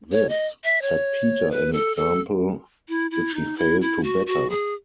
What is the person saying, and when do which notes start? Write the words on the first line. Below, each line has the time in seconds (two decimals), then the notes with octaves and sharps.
This set Peter an example which he failed to better.
0.12 C#5
0.29 D#5
0.64 E5
0.82 C#5
1.51 B4
1.73 A4
1.97 A4
2.88 E4
3.11 E4
3.34 D#4
3.57 E4
3.81 E4
4.03 F#4
4.27 F#4
4.50 G#4